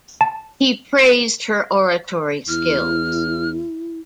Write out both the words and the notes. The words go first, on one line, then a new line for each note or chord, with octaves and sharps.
He praised her oratory skills.
A5
E2 E4 F6